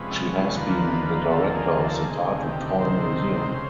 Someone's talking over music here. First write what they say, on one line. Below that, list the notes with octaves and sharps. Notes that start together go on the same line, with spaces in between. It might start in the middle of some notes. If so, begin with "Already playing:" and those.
She has been the director of the Tartu Toy Museum.
Already playing: C3 F3 G#3 C#4 B4
D#2 D3 F3 A#3 B4
D#2 D3 F3 A#3 A4
G#4
A4
D2 C3 D#3 G#4
G4
D2 C3 D#3 C5
C#3 C5